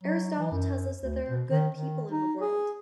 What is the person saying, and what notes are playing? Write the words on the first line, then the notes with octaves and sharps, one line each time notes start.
Aristotle tells us that there are good people in the world.
F#3
E3
F#2
D2
B2
D#3
D#3
D#4
G#4